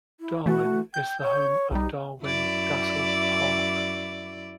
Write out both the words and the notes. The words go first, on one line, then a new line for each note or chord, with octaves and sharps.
Darwin is the home of Darwin-Dassel Park.
E4
E3 A3 F#4
G5 G6
C#5
B1 G3 D#4
F#2 E4 D5